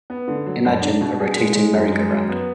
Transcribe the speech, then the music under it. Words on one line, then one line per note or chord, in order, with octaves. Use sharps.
Imagine a rotating merry-go-round.
B3
D3
F#3
F#2
D4
B2
G#4
G#3
G#3
F#2
G#3
F#2
B3